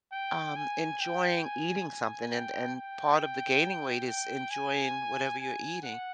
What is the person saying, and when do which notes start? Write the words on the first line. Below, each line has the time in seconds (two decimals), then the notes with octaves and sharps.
um, enjoying eating something, and and part of the gaining weight is enjoying whatever you're eating.
0.12 G5
0.56 G#5
1.00 G5
1.44 G#5
1.88 G#5
2.32 G5
2.75 G5
4.06 G5
4.51 G#5
5.39 G#5
5.82 F#5